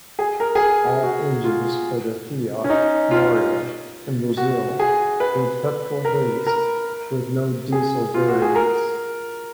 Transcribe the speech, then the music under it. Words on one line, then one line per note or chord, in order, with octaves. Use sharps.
All engines for the Fiat Marea in Brazil were petrol-based, with no diesel variants.
G#4
A#4
G#4
A#4
F#4
F4
C#4
D#4
F4
F#4
G#4
B4
A#4
A#4
G#4
F4
F#4
G#4
A#4